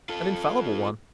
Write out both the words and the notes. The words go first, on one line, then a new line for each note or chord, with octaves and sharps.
"An infallible one."
F4 A4